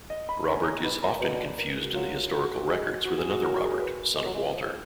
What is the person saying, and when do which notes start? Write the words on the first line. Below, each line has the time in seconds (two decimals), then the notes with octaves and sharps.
Robert is often confused in the historical records with another Robert, son of Walter.
0.10 D#5
0.29 B5
0.47 D3 A#5
0.56 G#5
0.63 A#5
0.84 B2 B5
1.03 A#2 A#5
1.21 B2
1.33 D5
1.45 B4
1.58 A#4
1.70 G#4
1.82 F#4
1.95 F#3 F4
2.32 F#4
2.69 G#3
3.05 F#4
3.18 G#4
3.30 F#4
3.42 F#3 A#4
3.52 F#4
3.61 G#4
3.79 B4
4.16 G#3 D#5
4.25 F#3
4.34 G#3 D#5
4.44 F#3
4.53 F3